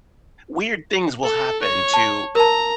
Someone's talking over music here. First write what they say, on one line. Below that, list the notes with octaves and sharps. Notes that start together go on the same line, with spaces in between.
weird things will happen to
A4
C#5
A5
A#4 A5 A#5